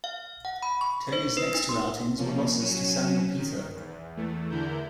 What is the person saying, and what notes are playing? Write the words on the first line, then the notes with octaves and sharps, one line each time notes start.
Toney's next two outings were losses to Samuel Peter.
F5
F#5
B5
C#6
C5
B4
D#4
C6
C3 F3 A#3 C#4
F#3 C#4 D#7 E7
D#3
E2
E2 E3 A3
E2 D3 E4 A#4 G6